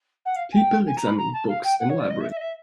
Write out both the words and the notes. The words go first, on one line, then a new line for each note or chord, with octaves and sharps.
People examine books in a library.
F#5
F5
G#5
G5
G#5
A#5
B5
A#5
A5
F5
G5
F#5
C#5
D5
D#5
E5
E5
D#5
E5